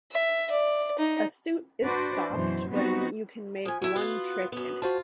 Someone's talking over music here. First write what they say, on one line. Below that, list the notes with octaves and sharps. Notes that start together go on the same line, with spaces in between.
A suit is stopped when you can make one trick in it.
E5
D5
D#4
D4 F#4 B4 C5 D5
F#2 B2 E3 C5
F#3 B3 C4 D#4 F#4
F3 G#5
E2 E4 F#4 E5
B3 F4 F#5
F#2 B3
F4 F#4 C5 A5